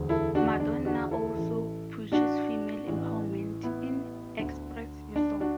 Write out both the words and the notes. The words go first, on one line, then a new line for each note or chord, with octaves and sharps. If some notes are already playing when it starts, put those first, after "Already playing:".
Madonna also preaches female empowerment in "Express Yourself".
Already playing: E1 D2 D3
E4 A4
D4 F#4
D4
D4 F#4
E4 A4
A1 A2 E3
D4 F#4
A1 A2 E3
B3 E4
D2 D3
D4
D4 F#4